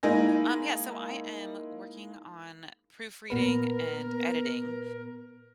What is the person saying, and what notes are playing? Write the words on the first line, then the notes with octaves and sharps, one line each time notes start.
Um, yeah, so I am working on proofreading and editing,
G#3 A#3 D#4 E4 G#5 A#6
A#2 B3 A#4 B4